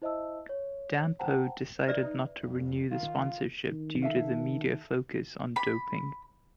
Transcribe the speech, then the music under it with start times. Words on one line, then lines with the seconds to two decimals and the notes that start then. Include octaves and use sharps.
Danpo decided not to renew the sponsorship due to the media focus on doping.
0.02 E4 C5 D#5 E5 A5 E6
0.49 C#5
1.19 C5 F#5 G5 A5 A#5
1.88 D#4 B4 D5 E5
2.42 F2
2.91 D#3 F4
3.69 D#3
4.02 A4 E5 F5
5.56 B5